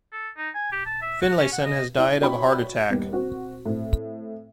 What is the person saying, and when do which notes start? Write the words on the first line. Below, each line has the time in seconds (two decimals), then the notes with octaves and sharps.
Finlayson had died of a heart attack.
0.12 A4
0.37 D#4
0.54 G#5
0.72 G4
0.86 A5
1.02 E5
1.21 F#4
1.38 C#4
1.52 F#5
1.65 D#5
1.97 E4 D5
2.21 F#4 C#5 D5 E5 G5 B5
2.90 D#2 G3 B3
3.12 C4 F#4
3.66 A2 C4